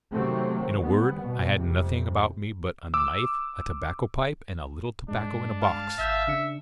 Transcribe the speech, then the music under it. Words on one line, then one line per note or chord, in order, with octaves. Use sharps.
In a word, I had nothing about me but a knife, a tobacco-pipe, and a little tobacco in a box.
C3 D#3 F#3 A3 C4
G3 B3
B2
F2 C3
D6 E6
G2 G#3 D4
F5 A5
G#1 E5 G6
C#3 D4 C#7